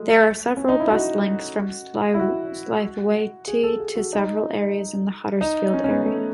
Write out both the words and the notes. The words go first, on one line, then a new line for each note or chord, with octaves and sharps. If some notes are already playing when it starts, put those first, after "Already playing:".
There are several bus links from Slaithwaite to several areas in the Huddersfield area.
Already playing: F#3 G#3 A3
C#4
D#4
E4
F#4
E4
F#4
G#4
A4
G#4
F#4
D#4
D#4
C#4
C#4
B3
A3